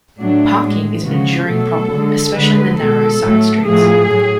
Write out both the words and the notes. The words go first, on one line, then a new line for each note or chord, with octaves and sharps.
Parking is an enduring problem, especially in the narrow side-streets.
A2 F#3 A3 D4
A2 G#3
C#3 F3 G#3 F#4
B2 F#3 A3 A4
D3 G#3
D3 G#3 B4
B2 G#3 A4
A2 F#3 A3
A2 F3 A3 G#4
A2 F#3